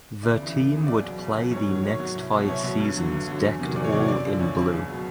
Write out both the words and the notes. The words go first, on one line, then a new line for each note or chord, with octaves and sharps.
The team would play the next five seasons decked all in blue.
D2 D5
C#3 E3
D2
C#3 E3
C#2 D5
B2 F#3
C#2
B2 F#3
G#2 C#5
D#3 F#3
G#2 C#5
D#3 F#3
C2
B2 F#3
C2 C#5
B2 F#3
G2
D3 F#3
G2
D3 F#3
E2
C3 D#3 F#3
E2 D5
C#5
C3 D#3 F#3 D5
C#5
F#2 D5
D3 F3
F#2 C#5
D3 F3
C#2
F#3
B2